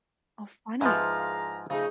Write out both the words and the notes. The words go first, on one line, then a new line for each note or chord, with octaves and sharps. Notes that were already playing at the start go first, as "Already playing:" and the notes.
Oh, funny.
G#2 F3 E4 G#4 B4 F5 A#5
C#3 F3 A3 D#4